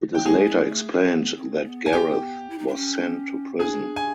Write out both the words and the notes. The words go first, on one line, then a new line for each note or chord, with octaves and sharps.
It is later explained that Gareth was sent to prison.
G5
G#3 G#4 G#5
G#3
A3
B3
C4
B3
G#5
G4 G5
E4
D#4
D4
C#4
D4 G#4 G#5
G#5